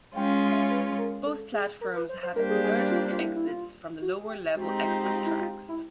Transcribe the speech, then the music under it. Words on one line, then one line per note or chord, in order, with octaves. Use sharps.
Both platforms have emergency exits from the lower level express tracks.
G#3 C#4 F4 G5
F5
F5
E5
B4
A#4
A4
G#4
A#4
B4
C5
C5
G3 A#3 D4 G4 A#4 C5
G#4
G#4
F4
F4
E4
E4
F4
F#4
G#4
G4
G#3 C4 D#4 F#4 G4
F4
F#4
F4
E4
F4
E4